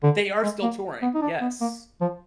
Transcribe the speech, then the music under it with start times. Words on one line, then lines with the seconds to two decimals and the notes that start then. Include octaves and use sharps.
They are still touring, yes.
0.03 D3
0.43 G#3
0.62 A#3
1.02 B3
1.15 D#4
1.22 D4
1.41 B3
1.61 A#3
2.01 F3